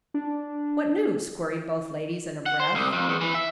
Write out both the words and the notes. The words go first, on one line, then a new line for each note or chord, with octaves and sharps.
"What news?" queried both ladies in a breath.
D4
F#5
C5
C2
F2
E2
E3
E5